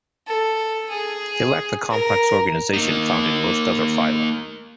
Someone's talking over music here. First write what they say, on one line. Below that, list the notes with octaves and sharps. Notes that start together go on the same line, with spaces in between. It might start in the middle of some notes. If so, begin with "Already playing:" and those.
They lack the complex organization found in most other phyla.
A4
G#4
A#4
A#3 D#4